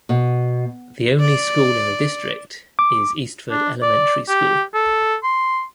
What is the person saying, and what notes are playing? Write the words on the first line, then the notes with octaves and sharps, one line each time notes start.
The only school in the district is Eastford Elementary School.
B2
D5
D6
D4
D5
G4
A4
C6